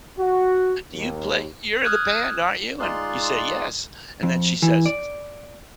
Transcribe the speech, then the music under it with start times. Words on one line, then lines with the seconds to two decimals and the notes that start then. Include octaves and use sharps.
"Do you play you're in the band, aren't you?" And you say, "Yes." And then she says,
0.19 F#4
0.92 D#2
1.84 D#6 F6 F#6 G#6
2.80 G#3 D#4 F4 D5 C6 F#6
4.23 F2
4.62 E3
4.86 D5